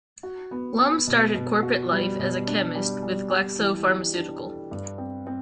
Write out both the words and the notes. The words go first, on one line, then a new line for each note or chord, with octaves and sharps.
Lum started corporate life as a chemist with Glaxo Pharmaceutical.
F#4
B3
B3
B2
B2
F#4
G3
B2
D4
G3
G3
G3
E3
E3
D4
A4
G2
C4
C4